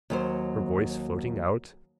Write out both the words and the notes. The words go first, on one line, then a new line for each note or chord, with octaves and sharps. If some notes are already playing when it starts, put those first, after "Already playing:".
Her voice floating out.
D#2 F#3 C5